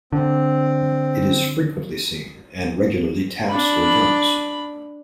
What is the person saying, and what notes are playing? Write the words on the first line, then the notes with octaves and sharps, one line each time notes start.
It is frequently seen, and regularly taps or drums.
D3 C4
D4 B5